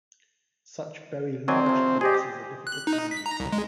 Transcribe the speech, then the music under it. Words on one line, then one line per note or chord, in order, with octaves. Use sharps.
Such very large corpses are difficult to move.
F#3 C4 D5 G#5
C3 F3
G4 G#4 D5 D#5
F#6
D#4
B6
A#5
C2
G#3